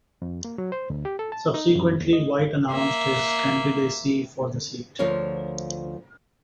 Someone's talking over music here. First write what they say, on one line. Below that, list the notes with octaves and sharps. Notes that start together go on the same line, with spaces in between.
Subsequently, White announced his candidacy for the seat.
F2
A#3
F#3
C5
D2
G4
A4
A5
D#4
F#2
D#2
D#5
A#3 E5
D2 F3 F4 A#4 C#5